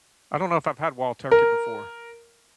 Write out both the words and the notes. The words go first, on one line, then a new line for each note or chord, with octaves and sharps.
I don't know if I've had wild turkey before.
A#4